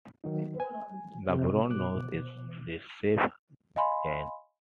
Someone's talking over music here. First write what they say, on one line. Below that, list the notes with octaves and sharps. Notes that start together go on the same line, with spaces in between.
The brown nose is a recessive gene.
D#3 F#3 D#4
G#5
C3
B2 D6 F#6
D#5 F5 G#5 B5 C6